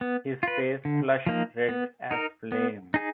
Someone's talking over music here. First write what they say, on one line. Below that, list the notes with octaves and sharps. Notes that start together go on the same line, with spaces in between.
His face flushed red as flame.
B3
F4 B4
D3
F3 A#3 D#4
B3
D#4 A#4
B3
D#4 G#4